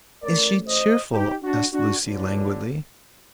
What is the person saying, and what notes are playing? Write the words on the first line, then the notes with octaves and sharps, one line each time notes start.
"Is she cheerful?" asked Lucy languidly.
A1 A2 A#4 D5
C5 D#5
D#4 G4
D4 F#4
D4 F#4
F#1 F#2 D3